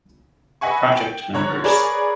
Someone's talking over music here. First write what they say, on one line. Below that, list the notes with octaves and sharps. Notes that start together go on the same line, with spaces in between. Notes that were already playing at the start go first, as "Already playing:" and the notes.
Project members.
B4 D#5 E5 F#5 G#5 C#6
G5
D3 F3 C#5 A#5 F#6
G#4 A#4 B4 C#5 D5 A#5